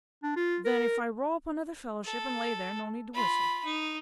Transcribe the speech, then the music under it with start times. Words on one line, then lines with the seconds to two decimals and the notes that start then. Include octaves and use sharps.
'Then if I row up under the Fellowship and lay there, no need to whistle.
0.23 D4
0.36 F4
0.65 A#4
2.04 A4
3.14 F4 B5
3.65 D#4